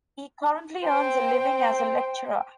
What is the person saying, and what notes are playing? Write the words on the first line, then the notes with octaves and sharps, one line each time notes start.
He currently earns a living as a lecturer.
C5 G5